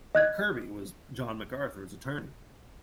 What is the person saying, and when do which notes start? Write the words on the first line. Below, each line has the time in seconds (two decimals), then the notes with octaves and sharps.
Kirby was John MacArthur's attorney.
0.15 D#5 F#6 G#6